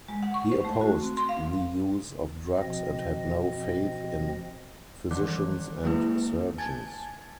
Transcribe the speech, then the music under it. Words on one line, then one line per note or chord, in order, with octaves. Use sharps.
He opposed the use of drugs and had no faith in physicians and surgeons.
G#3
F#5
C#6
C5
A3
F#4
C4
C6
F5
B2 F3 C4 D#5
D#3 E3 G3 D5 D6 F#6
F#3 G#3 A#3 E4 G#4 B4
G#5 A5 G#6 A6